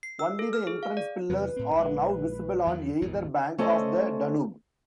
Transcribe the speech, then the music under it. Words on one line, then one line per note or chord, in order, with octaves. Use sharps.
Only the entrance pillars are now visible on either bank of the Danube.
C7
E6
A4
F6
G#4
F5
D5
E2 C3 F#3 B4
A2 C4
A#1 G#3
E2 D#3 F#3
G#1 E2 A#2
A3 C#4 A4 C5 D5 D#5